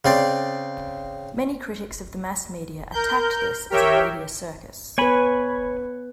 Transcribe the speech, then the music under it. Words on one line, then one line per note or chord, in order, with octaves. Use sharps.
Many critics of the mass media attacked this as a "media circus".
C#3 C4 D5
A#4 G6
G4 A#4 C#5 E5 G5
B3 B4 C#5 G#5 B5